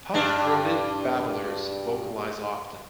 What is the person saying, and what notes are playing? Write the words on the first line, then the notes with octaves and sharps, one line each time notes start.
Puff-throated babblers vocalize often.
G2 D4